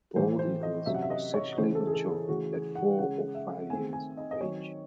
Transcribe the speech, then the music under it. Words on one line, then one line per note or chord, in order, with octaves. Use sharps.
Bald eagles are sexually mature at four or five years of age.
A2 E3 A3 C5
C5
D#5
C3 F#3 C#4 E5
F#5
E5
D#5
C#5
C#3 E3 A3 C#4 C5
A4
G#4
A4
G#4
C#3 E3 A3 F#4
G#4
F#5
C#3 G#3 C#4 F#5
E5
D#3 A3 C4 G#5
G#5
D#5
D#5
D#3 F#3 C4 C#5